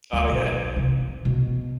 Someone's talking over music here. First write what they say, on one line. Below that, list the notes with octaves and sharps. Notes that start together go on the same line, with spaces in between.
Oh, yeah.
D2
B1
C3
B2